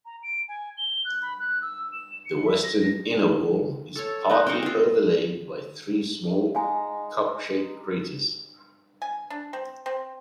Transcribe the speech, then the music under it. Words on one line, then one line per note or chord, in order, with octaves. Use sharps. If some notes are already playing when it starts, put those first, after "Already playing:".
The western inner wall is partly overlaid by three small, cup-shaped craters.
A#5
D7
G#5
G7
F#6
B5
F#6
E6
E7
C#7
E5
A#6
A4 C#5
B3 D#4
C4 D#4 A#4 F#5
C4 F4
G#3 D#4 F5 G#5
G#5
D4
C4
C4